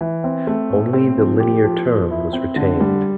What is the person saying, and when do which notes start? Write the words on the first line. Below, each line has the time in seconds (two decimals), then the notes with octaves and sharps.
Only the linear term was retained.
0.01 E3
0.24 C4
0.47 A3
0.70 A2
0.93 C4
1.18 F3
1.40 G4
1.64 F3
1.87 F3
2.11 E4
2.33 C4
2.56 D3
2.80 G3